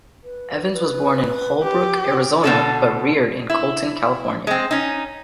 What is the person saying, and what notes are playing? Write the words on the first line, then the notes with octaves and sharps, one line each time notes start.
Evans was born in Holbrook, Arizona, but reared in Colton, California.
B4
B4
G4
B2 D3 A4
E4
G#3 C4
C#4 D#4